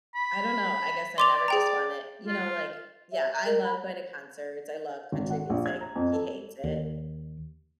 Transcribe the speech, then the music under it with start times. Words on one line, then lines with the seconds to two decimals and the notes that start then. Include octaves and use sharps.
I don't know, I guess I never just want it, you know, like Yeah, I love going to concerts, I love country music, he hates it,
0.15 B5
1.18 D5 C6 D6 F7
1.48 G#4 G5 A#5
2.26 F4
3.11 E5
3.33 A#5
3.45 A#4
3.64 B5
5.12 G#1
5.30 F#5
5.50 A#1
5.66 G#6
5.81 A#5
5.96 F2
6.13 A4
6.64 D#2